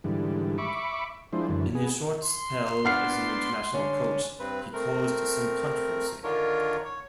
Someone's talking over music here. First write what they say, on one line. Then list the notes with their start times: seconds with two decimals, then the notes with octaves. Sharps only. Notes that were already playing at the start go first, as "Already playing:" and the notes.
In his short spell as an international coach, he caused some controversy.
0.04 G#2 D3 E3 G3
0.58 E5 B5 C#6 D6
1.33 F3 G#3 D4 E4 C5
1.49 F#2 D3 E3
1.75 B3 G#4
2.23 C6
2.85 B3 D4 F#5 F6 C7
3.74 D3 C#4
4.39 G2 C4 B4
4.73 A3 C4 A#4
6.24 D3 D#3 D4 F4 A#4 C#5
6.84 C#5